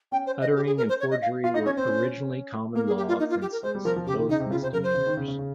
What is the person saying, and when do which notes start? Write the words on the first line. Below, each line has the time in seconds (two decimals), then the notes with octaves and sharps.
Uttering and forgery were originally common law offences, both misdemeanours.
0.12 C#4 G5
0.26 C5
0.41 D#5
0.56 G4
0.66 G#4
0.77 A#4
0.89 C5
1.00 C#5
1.11 D#5
1.22 F5
1.44 F4 F5
1.54 D#4 D#5
1.66 C#4 C#5
1.77 C4 C5
1.88 C#4
2.75 A#3 A#4
2.86 G#4
2.97 G4
3.08 F4
3.19 D#4
3.30 F4
3.41 G4
3.52 A#4
3.63 G#3 C5
3.75 G3
3.85 F3 A#4
3.96 F3
4.06 C#3 G4
4.18 D#3
4.29 C#3 D#4
4.40 C3
4.50 C#3 F4
4.62 C3 C5
4.73 C#3 A#4
4.83 C5
4.94 C#3
5.06 D#3
5.17 C#3
5.28 C#3
5.39 C#3